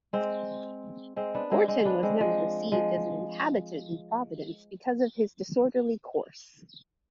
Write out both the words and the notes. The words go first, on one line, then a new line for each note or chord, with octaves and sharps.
Gorton was never received as an inhabitant in Providence because of his disorderly course.
G#3 C4
G#3 C4
B3 D4
G#3 C4
G#3 C4
B3 D4
G#3 C4
F3 G#3
F3 G#3